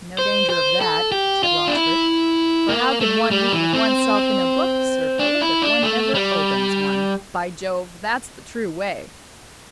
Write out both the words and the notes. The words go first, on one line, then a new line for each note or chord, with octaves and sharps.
"No danger of that," said Rochfort; "for how can one meet with oneself in a book, Sir Philip, if one never opens one?--By Jove, that's the true way."
C5
C5
A4
G4
F4
D4
E4
A#3
A3
G3
E3
C4
D4
E4
D4
A3
G3